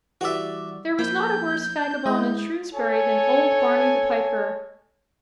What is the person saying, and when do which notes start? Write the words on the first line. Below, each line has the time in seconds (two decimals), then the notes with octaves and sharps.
There was not a worse vagabond in Shrewsbury than old Barney the piper.
0.21 E3 G3 F#4 D5 E5
0.99 F3 A#3 B5 G6
2.06 G#3 E4 D#5
2.74 A4 C#5 G#5